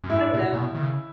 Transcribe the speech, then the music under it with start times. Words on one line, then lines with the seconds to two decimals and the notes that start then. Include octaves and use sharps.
I don't know.
0.04 F#2
0.09 G#2 E4
0.34 A#2
0.53 A#2
0.57 B2
0.75 D#3
0.81 C#3